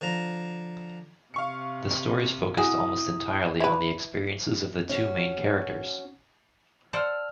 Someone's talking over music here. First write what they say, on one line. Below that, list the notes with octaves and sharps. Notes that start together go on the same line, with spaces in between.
The stories focused almost entirely on the experiences of the two main characters.
D3 F3 A#5
C3 F5 C#6 C#7
E4 F#4 G#4 D#6
E4 B4
C#4 F#4
C5 D5 F#5 A5 E6 F6